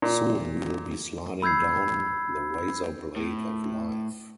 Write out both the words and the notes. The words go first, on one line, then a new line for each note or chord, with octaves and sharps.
Soon we'll be sliding down the razor blade of life.
A#2
B5 E6 G6 G#6 C7
A2